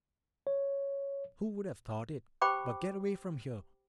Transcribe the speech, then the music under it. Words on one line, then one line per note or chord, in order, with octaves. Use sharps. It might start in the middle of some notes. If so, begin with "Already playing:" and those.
Who would have thought it? But get away from here!
C#5
G4 C5 G5 B5 D6